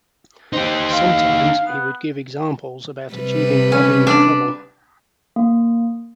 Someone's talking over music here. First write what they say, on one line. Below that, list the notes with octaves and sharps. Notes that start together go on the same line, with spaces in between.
Sometimes, he would give examples about achieving Robin's trouble.
D#4 G4 C5
F5
B3
C3 G3 B4
C#4
D4
A#3